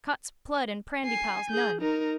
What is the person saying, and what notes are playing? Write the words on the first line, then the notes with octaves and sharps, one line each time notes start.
Cot's plood and prandypalls, none!
G#5 C7
G#4 G6
D#4 A#4